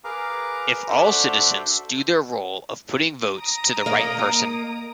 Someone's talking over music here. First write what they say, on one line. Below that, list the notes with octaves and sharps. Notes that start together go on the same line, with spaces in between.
If all citizens do their role of putting votes to the right person.
G#4 A#4 B4 F5 A#5 D6
D4 F#4 A4 C5 E5
A#5 D#6 D7
A#3 D#5